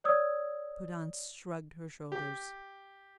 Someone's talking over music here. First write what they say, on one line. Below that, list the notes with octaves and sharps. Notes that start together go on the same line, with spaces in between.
Prudence shrugged her shoulders.
C#5 D5 D#6 E6 G#6
G4